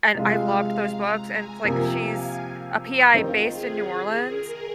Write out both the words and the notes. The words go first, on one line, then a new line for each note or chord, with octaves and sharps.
and I loved those books, and it's, like, she's a PI based in New Orleans
C3 G#3 F4 F5
A#5
G#5
C3 F3 A#3
F5
D#3 C4 D#4 F4
G#4
A#4